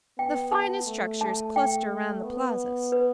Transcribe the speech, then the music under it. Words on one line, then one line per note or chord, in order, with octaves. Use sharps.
The finest structures cluster around the plazas.
B3 G5
A5
A3
A5
G5
B3
B4